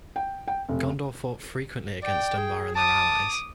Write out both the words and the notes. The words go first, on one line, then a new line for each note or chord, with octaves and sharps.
Gondor fought frequently against Umbar and their allies.
G5
G5
F1
D5 G5
G#4
A5 D6 D#6